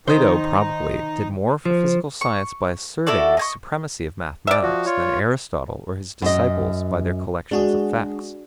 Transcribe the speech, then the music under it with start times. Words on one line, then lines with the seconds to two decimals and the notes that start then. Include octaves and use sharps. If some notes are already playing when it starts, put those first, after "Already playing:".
Plato probably did more for physical science by asserting the supremacy of mathematics than Aristotle or his disciples by their collections of facts.
0.07 D#3 D#4 C5
1.66 F3 C5
2.21 C#6
3.07 E4 F#4 A4 D5
3.37 D#5 G#5 C#6
4.47 D5 E5
4.63 F3 F#4
4.86 F4 C#5
6.22 F#2 D#5
7.51 G#3 D4 F#4 G#4